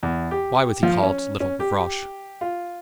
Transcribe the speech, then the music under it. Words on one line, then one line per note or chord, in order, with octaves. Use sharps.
Why was he called Little Gavroche?
E2
G4
F3
C#4
C#4
G4
F4